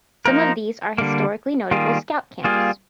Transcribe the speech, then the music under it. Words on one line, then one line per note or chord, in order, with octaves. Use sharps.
Some of these are historically notable Scout camps.
F3 A#3 D#4 A#4
D3 G3 A#3
D#3 G3 A#3 F4 G#4
G3 A#3 F4 G#4